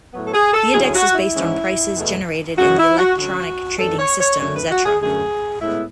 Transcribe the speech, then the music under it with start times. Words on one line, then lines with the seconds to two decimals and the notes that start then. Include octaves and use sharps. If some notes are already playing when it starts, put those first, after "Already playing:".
The index is based on prices generated in the electronic trading system Xetra.
0.12 A2 F#3 B3
0.27 A4
0.34 G#4
0.53 A4
0.74 D3 F#3 C#4 E4 G#4
0.84 G#4
0.95 F#4
1.14 E4
1.34 G#2 E3 G#3 C#4
1.95 E2 B2 A3 E4
2.56 F#2 C#3 G#3 C#4 F#4
2.77 E4
2.98 F#4
3.17 D3 F#3 C#4 F#4
3.79 F#2 E3 A3 D4 A4
3.99 C#5
4.19 C#5
4.39 F#2 D3 A3 D4 C#5
4.55 B4
4.70 F#4
4.85 G#4
5.01 F#2 D3 A3 C#4 G#4
5.61 A2 G#3 B3 E4